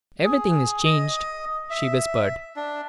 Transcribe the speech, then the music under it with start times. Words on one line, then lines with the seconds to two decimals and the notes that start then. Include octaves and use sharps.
"Everything is changed," she whispered.
0.24 G#4
0.85 D#5
1.70 E5
2.56 D4